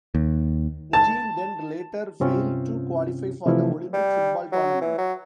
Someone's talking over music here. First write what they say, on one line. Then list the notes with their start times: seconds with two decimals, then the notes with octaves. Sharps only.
The team then later failed to qualify for the Olympic football tournament.
0.15 D#2
0.93 A5
2.20 G2 C3 C4 C#4 F4
3.46 C3 E3 F3 A3 E4
3.93 G3
4.52 F#3
4.82 E3
4.98 F#3